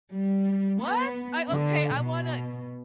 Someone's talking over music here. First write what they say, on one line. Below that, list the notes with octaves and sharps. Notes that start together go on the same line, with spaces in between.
What? I okay, I wanna
G3
B3
D3
B2